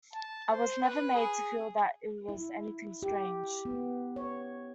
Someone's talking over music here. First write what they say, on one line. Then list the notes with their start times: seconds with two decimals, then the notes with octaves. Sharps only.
I was never made to feel that it was anything strange.
0.13 A5
0.51 C5
0.83 B4
1.14 G#4
2.29 E4
3.03 G4
3.65 B3
4.16 C#5